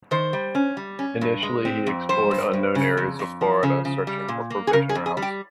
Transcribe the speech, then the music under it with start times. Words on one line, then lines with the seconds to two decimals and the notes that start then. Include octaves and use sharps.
Initially he explored unknown areas of Florida, searching for provision routes.
0.11 D#3 C5
0.33 G3
0.55 C#4
0.77 G3
0.99 C#4
1.21 G2
1.43 G#3
1.65 C4
1.87 F2
2.09 G3 C5
2.31 G2
2.53 G2
2.75 C#3
2.97 F2
3.19 F2
3.41 F3
3.63 C#3
3.85 C#3
4.07 G3
4.28 A#2
4.50 A#3
4.67 G#4
4.73 C#3 A#4
4.89 G#4
4.95 F2
5.06 G#4
5.17 G3
5.22 G4